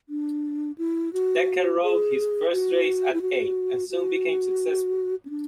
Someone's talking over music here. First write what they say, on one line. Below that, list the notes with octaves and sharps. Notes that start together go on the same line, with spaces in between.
Dekker rode his first race at eight, and soon became successful.
D4
E4
F#4
G#4
F#4
E4
F#4
F#4
C#4
D4